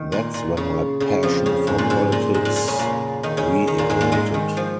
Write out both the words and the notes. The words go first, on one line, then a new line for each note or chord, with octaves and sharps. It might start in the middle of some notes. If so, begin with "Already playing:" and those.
That's when my passion for politics reignited.
Already playing: D#3
A#2
A#2
C#3
C#3
F2 F3
C#3
G#2
A#2
G#2
A#2
G#2
A#2
A#2
C#3 C#4
A#2 A#3
D#3 D#4
C#3 C#4
D#3 D#4
A#2 A#3
G#2 G#3
A#2 A#3
G#2 G#3
D#3
F3